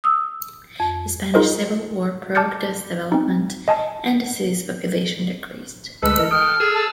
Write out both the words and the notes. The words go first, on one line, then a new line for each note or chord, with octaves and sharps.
The Spanish Civil War broke this development, and the city's population decreased.
D#6 E6
F2
D#4 F4 G#4 A#4 C5 D#5
A5 D6 F6 G6 A6 C#7
C4 D#4
D#5 G#5 A5
D2 G#3 A4 B4 E6
E3 A#4 D#5
G5 D#6 F6
F#6
G#4 A4 E6
A5